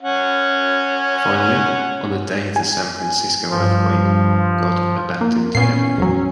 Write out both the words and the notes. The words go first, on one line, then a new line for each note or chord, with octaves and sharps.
Finally, on the day of the San Francisco earthquake, God abandoned Heaven.
C#4 F#5
G#5
G2 F3
A#3
A#2 B3 C#4 C7
A1 F2 F#3